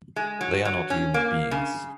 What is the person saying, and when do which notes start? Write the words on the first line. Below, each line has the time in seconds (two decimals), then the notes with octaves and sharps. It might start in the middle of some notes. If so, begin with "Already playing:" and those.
They are not human beings.
0.16 G#3
0.41 F#3
0.65 F#3
0.90 C#4
1.14 A#3
1.51 C#3